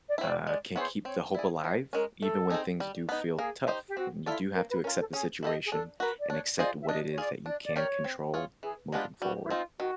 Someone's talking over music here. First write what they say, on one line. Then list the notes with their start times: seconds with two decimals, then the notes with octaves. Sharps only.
uh, can keep the hope alive even when things do feel tough, and you do have to accept the situation and accept what it is that you can control moving forward.
0.08 D5
0.18 C4 E4 C#5
0.28 D5
0.47 G#3 D5
0.76 B3 E4 G#4 C5 C#5
1.05 C4 C#5
1.34 E4 D5
1.39 G#4
1.64 F3 D#5
1.93 G#3 C#4 A#4
2.22 A3 A4
2.50 C4 D#4 G#4
2.80 G3
3.09 B3 D#4
3.38 A#3 G#4
3.67 D#4 G4 C5
3.89 G4
3.96 C4 F#4
4.26 E4 F4 A4 D5
4.55 A#3 A#4
4.70 B4
4.84 C#4 F4 A#4
4.99 A4
5.13 C#4 G#4
5.42 E4 G4 A4 C5 D#5
5.64 G#4
5.71 D4 A4
6.00 F#4 A#4 B4
6.20 D5
6.29 D4 C#5
6.59 F4 G#4 C5 D5 D#5
6.81 E5
6.88 D4 D#5
7.10 C#5
7.18 F4 G#4 D5
7.46 D4 D5
7.64 D5
7.76 G4 A#4 C#5 D5
8.04 C4
8.34 F4 G#4 C#5
8.63 E3 G#4
8.92 G#3 B3 D4 F4 G4
9.21 G3 F#4
9.43 E4
9.50 C4 D#4 F4
9.79 D#3 F#4